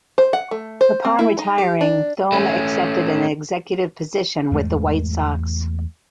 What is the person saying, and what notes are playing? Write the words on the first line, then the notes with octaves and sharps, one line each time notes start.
Upon retiring, Thome accepted an executive position with the White Sox.
C5
F#5
A3
C5
C4
E4
D#4
G4
D4
A3 C#4
E2 G#2 G#3 A3